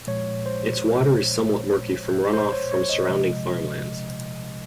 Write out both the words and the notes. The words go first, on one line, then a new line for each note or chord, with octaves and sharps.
Its water is somewhat murky from runoff from surrounding farmlands.
A#2 F3 G#3 C#5
C5
C5
C#5
C#5
D#5
C3 F3 G#3